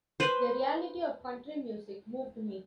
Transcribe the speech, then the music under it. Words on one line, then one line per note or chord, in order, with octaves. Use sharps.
The reality of country music moved me.
B4 C5